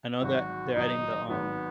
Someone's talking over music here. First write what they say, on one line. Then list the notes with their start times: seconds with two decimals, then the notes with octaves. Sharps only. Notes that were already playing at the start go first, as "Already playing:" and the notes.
I know that they're adding the, um,
0.21 G#1 G#2 F#3 F#4
0.75 G#1 G#2 F#3 D#4
1.29 G#1 G#2 F#3 B3